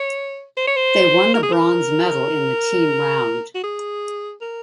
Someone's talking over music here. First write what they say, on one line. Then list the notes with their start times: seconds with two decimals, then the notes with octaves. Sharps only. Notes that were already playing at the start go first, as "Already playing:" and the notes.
They won the bronze medal in the team round.
Already playing: C#5
0.57 C5
0.67 C#5
0.77 C5
1.34 A#4
1.43 G#4
1.52 A#4
3.55 F#4
3.64 G#4
4.41 A#4